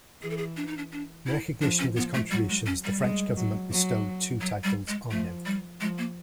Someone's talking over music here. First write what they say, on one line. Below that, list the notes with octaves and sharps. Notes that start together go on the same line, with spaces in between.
In recognition of his contributions the French government bestowed two titles on him.
E3 G#4
A4
G#4
D4
D#4
D4
D4
E4
F3 D4
C#4
F3 B3
A3
F#3 G3
G#3
C#4
G3
G#3
F#3
F#3
F#3
G3
G#3
F3 A3
G3
F3 G#3
A#3